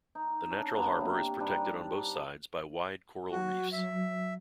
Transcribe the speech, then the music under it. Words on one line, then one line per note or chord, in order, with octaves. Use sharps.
The natural harbour is protected on both sides by wide coral reefs.
D#4
C#4 D4
D3 F#3 A#3 B3
C3 A#5
G2 G3 D4 D#4
F#3 F#4
E5